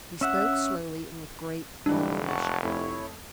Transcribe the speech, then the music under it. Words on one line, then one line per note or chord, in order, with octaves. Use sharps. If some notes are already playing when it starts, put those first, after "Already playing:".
He spoke slowly and with great deliberation.
C#4 E5 F#5
F1 G#2 E3 G3 D4
C#5 F#5 A5
F2 A3 E4 C#5